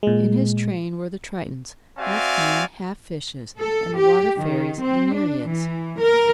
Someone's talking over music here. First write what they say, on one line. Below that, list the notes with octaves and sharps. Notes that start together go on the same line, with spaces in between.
In his train were the Tritons, half men, half fishes, and the water fairies, the Nereids.
A#2 G#3
C4 F#4 D5 E5 F5 G#5
A4
G4
D#3
C4
D4
E3
A#4